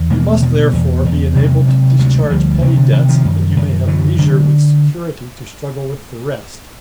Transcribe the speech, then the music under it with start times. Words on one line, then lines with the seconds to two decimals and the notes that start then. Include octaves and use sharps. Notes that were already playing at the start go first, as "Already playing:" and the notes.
You must, therefore, be enabled to discharge petty debts, that you may have leisure, with security, to struggle with the rest.
Already playing: E2
0.10 B2 G#3 A#3
0.42 B2
0.73 E2
1.05 E2
1.36 C3 F#3 G#3
1.68 C3
1.99 D2 F#3 G#3
2.30 D2 F3 G3
2.62 C3 E3 F#3
2.77 D3
2.93 C3 D#3
3.09 D#3 F3
3.25 F#2
3.57 F#2
3.87 D3 E3 F#3
4.18 D3 F#3 G#3